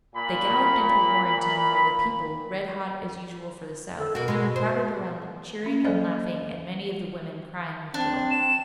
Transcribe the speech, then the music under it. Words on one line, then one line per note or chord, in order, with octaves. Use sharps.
They galloped into Warrenton where the people, red hot as usual for the South, crowded around them cheering and laughing and many of the women crying with joy.
A#2 B5
A4
B2 A#3 F#4
A#2 G#3
C5
C#4
F#3 A#3 A4 C5 D5 D#5
C4 D4
E7